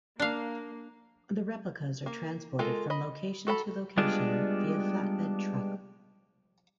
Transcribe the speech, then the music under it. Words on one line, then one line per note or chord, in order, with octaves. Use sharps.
The replicas are transported from location to location via flatbed truck.
A#3 D4 F5
A#3
G#3 F4 A4 A#4
D#5 B5
F#4 A4 A#5 B5
G3 G#3 B3 D4 F4